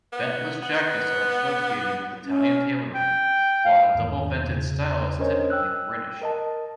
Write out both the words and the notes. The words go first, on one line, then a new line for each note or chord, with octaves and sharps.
Ventless jackets are associated with Italian tailoring, while the double-vented style is typically British.
B3
B3
C#4
G5
F5
E2 G#2 D#3
E2 C#3
C#4 D4 A#4 C5 C#5 D#5
G5 E6 F#6
A#4 D#5 A5